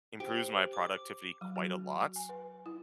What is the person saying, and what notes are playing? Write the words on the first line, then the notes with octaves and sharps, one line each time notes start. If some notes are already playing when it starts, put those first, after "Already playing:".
improves my productivity quite a lot,
G4 C5
D6
F#3
F#4
G#5
B4
E4